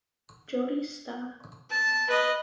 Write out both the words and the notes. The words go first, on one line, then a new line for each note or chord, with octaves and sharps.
Jodi Sta.
A5
B4 D#5